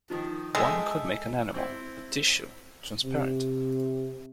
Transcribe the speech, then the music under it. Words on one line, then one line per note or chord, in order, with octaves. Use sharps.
One could make an animal — a tissue — transparent!
D#3 F3
G#3 A4 E5 G5
C4 E4
C3